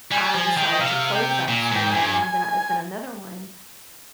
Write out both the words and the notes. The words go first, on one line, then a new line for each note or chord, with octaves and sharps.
I decided to close that store, and I'm gonna open another one
G3 G#5
F3 G#5
D#3 G5
D#5
C3 F5
G5
A#2
G#5
G#2 G5
G2 G#5